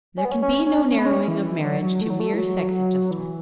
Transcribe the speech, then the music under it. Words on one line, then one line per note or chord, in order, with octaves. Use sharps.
There can be no narrowing of marriage to mere sex adjustment.
C#4
B3
C#4
C#4
C#4
C#4
B3
C#4
E3
F#3
F#3
A3
F#3
A3
E3
F#3
E3